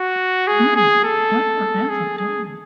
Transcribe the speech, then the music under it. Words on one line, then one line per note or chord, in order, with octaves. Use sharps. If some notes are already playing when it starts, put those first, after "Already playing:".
No, that would never do.
Already playing: F#4
G#4
G#4
A4
G#4
G#4